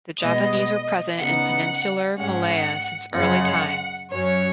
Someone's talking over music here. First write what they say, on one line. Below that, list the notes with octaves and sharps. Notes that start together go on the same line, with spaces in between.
The Javanese were present in Peninsular Malaya since early times.
B2 G#3 B3 D#5
C#3 B3 D#4 F#5
G#2 G#3 C#4 F#5
F#2 C#3 G#3 F#5
F#2 F#3 C#4 C#5